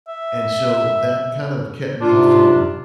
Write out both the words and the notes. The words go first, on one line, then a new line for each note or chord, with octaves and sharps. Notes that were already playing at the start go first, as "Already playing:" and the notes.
and so that kind of kept me from
E5
G#2 C3 D4 F4